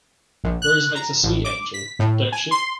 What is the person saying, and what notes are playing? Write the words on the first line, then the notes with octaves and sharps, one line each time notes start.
Rose makes a sweet angel, don't she?
A#1
F#6
A#5
A1
D6
B6
A2
G#5
C6